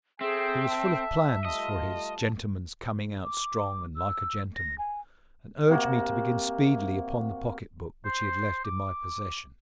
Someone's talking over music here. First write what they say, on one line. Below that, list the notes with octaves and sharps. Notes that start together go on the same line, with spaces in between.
He was full of plans "for his gentleman's coming out strong, and like a gentleman," and urged me to begin speedily upon the pocket-book which he had left in my possession.
C4 G#4 A4 E5 G5
A5
G3 A3 F4 D#5 A5
D6
E6
A#6
G#5
C3 A#3 F#4
C5
D6